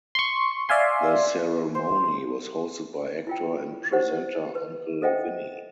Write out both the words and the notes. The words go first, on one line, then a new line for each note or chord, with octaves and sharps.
The ceremony was hosted by actor and presenter Uncle Vinny.
C6 C#6
D5 E5 F5 G#5 C6
C5
E4 F4 G5
E4 G4 C5 C#5 F#5
B4
A4 C5 D#5 E5 F#5 G5